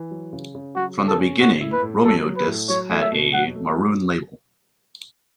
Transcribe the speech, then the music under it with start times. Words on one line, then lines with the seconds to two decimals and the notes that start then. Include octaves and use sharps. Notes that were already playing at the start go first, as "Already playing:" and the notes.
From the beginning, Romeo discs had a maroon label.
Already playing: E3
0.11 F#3
0.33 C#3
0.55 C#3
0.75 F#3 F#4
0.97 C#3
1.07 A4
1.18 C#4
1.40 A2 F#4
1.61 E4
1.72 B4
1.82 A2
2.05 F#3 A4
2.26 F#3
2.36 B4
2.47 A2
2.69 F#3 C#5
2.90 A3
3.01 E5
3.12 B2
3.33 F#3 F#5
3.55 A3
3.76 F#3